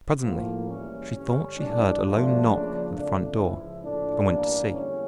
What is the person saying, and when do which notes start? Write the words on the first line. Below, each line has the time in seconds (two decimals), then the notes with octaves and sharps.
Presently she thought she heard a low knock at the front door, and went to see.
0.23 A2 F3 A#3
0.68 C#2 C#3 E3 G3 A#3 C#4
1.13 G2 D3 G3 C#4
1.58 A#1 A2 E3 G3 D4
2.03 G2 F3 A3 D4
2.48 C#2 C#3 F3 A#3
2.92 F2 D3 A3 D4
3.38 C#2 C#3 F3 E4
3.83 A#1 A2 F3 A3 D4
4.28 A1 G2 E3 A#3
4.72 E2 D3 G3 A#3 C#4